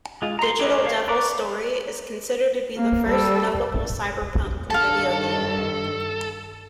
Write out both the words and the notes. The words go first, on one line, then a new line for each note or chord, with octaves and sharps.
"Digital Devil Story" is considered to be the first notable cyberpunk video game.
G#3 F4
A#5 C6
G4 A4 B4 C#5 D#5
A4 C#5 F5
B4 D5 A#5 C#6 D6
A#3
G3 A4
G2 D#3 A4 F5 A5